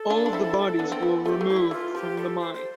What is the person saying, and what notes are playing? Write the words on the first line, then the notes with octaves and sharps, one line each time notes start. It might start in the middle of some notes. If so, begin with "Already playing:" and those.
All of the bodies were removed from the mine.
Already playing: A4
D4 F4
D4
C4 E4
B3 D4
C4
B3
A3 G4 A4
A3
F3 E4
G3
E3 F4
F3 G4
G3 A4
C5
C5